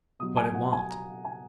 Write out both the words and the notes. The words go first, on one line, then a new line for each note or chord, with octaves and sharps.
But it want.
B2 F#3 D#6
G#5
F#5
G#5
A#5
G#5